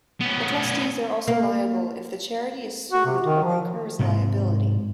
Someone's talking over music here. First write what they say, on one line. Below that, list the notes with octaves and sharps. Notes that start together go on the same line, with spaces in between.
The trustees are also liable if the charity is sued or incurs liability.
B3 C#4
A#3
F#4
C3
D#3
F3
G#2 C3 G#3